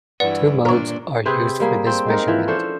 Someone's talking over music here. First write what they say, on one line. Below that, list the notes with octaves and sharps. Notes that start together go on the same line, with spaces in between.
Two modes are used for this measurement.
G2 E3 E4 B4 D5 F#5
A#2 A#3 D4 A#4 C#5
C3 C4 G#4 B4
G3 A#3 G#4
C4
G#3 D#4 A#4
E3 F3
C#4 D4 A4 C5